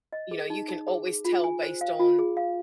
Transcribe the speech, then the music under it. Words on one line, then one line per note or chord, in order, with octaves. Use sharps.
you know, you can always tell based on,
D#5
G#4
D#4
D#4
G#4
G#4
F4
G#5
C5
F5
F4
G#4
F5